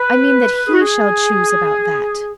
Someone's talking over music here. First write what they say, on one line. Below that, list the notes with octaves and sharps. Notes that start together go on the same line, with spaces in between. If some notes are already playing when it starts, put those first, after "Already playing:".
"I mean that he shall choose about that."
Already playing: B4
G#4
F#4
G#4